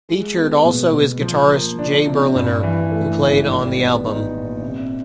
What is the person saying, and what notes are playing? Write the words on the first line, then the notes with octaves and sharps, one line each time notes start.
Featured also is guitarist Jay Berliner, who played on the album.
G#3
B3
B2
B2
F3
A#3
D4
C3
G2
E3
A3
G#1
G3
B3
D#4
A#2
C3